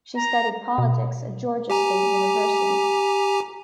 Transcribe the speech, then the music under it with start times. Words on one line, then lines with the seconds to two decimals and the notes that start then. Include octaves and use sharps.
She studied politics at Georgia State University.
0.17 A#5
0.78 B2
1.70 G4 G#5 A#5